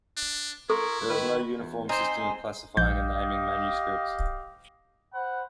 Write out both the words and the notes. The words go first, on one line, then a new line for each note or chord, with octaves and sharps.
There is no uniform system of classifying and naming manuscripts.
D4
E4 A4 A#4 C6 C#6
D#3 B4
E2
C4 D#4 C5 G#5 C6
A#1 G4 D#5 F5 G6
C5 F#5 B5